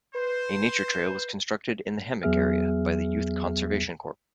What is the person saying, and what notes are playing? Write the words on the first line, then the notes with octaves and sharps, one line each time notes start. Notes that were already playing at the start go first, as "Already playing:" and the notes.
A nature trail was constructed in the hammock area by the Youth Conservation Corps.
B4 C5
E2 F#3 B3 G#4 E5 F6